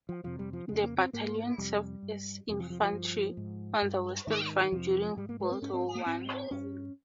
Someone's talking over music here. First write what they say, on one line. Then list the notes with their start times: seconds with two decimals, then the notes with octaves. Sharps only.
The battalion served as infantry on the Western Front during World War One.
0.09 F3
0.23 F2 C3 F3
0.39 G3
0.53 F3
0.68 F2 C#3 G#3
0.83 A#3
0.98 C4
1.13 G#2 A#3
1.58 F2 C3 G3
2.03 G2
2.48 F2 C3
2.60 F3
2.70 F3
2.82 F3
2.92 G2
3.37 G#2
3.82 G2
4.27 G#2 D#3
4.72 F2 C3 F3
5.16 G#2 G3
5.29 A#3
5.40 G#3
5.51 C4
5.62 G#2 C#4
5.74 C4
5.95 A#3
6.06 G#2 C4
6.51 G2 C#4